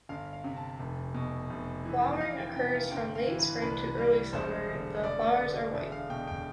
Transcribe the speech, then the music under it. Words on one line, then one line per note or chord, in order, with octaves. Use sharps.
Flowering occurs from late spring to early summer the flowers are white.
G1 F5
F5
C3
A5
F1
B2
F1
E3
F1 F5
G5
C3 G5
F5
G1 G5
F5
E3
B4
C2 B4
G3
E1 C5
D3
E5
E1 D5
D3
E1 E5
F5
B2 G5
G5